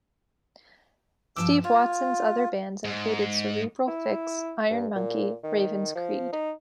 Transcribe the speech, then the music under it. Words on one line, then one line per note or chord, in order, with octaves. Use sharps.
Steve Watson's other bands included Cerebral Fix, Iron Monkey, Ravens Creed.
G2 F3 A5 D6 E6
F4 C#5
G#2
E4
G2
A#2
D#3
F3
D#4